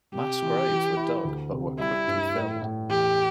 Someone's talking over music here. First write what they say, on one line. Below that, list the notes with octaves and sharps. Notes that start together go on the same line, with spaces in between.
Mass graves were dug but were quickly filled.
C3 G4
E3
E3
E4
D2
C3
G3 E4
G2
A2
A2
E2 G4